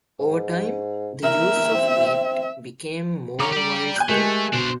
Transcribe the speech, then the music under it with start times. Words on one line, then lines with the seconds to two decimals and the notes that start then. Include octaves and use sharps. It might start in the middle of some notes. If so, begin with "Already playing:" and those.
Over time, the use of kente became more widespread.
0.20 G#2
1.23 A#4 E5
1.74 C4
3.40 C#3 C#4 A#5 D6
3.53 G4 D5
3.96 G#5 F#6 G6
4.09 G#3 A3 G4 A#4
4.53 B2 D4 C5